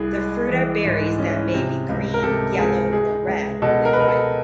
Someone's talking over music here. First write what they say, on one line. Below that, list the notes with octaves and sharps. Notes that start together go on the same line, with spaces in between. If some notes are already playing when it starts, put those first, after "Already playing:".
The fruit are berries that may be green, yellow or red when ripe.
Already playing: C2 G#4
G#3
E3
G#2
C#4
C3
C#2
A#4
C3 A4
C#2 G#4
G#3 G#4
C#2
B2 A4
A#4
B4
B2 A#4
A4